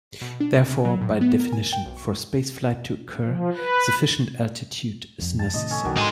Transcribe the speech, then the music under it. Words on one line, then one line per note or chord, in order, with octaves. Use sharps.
Therefore, by definition for spaceflight to occur, sufficient altitude is necessary.
B2
D4
C#3
C#3
F#3
A2
B3
A#4
G#5
G5
B1
C#6
F3
B4
F2
A5
A2 C3 D#3 D#5
C#4 A4
C2 A#2 D#3 E3 F#3 D4
G#2 D#4 G#5 A#5 C6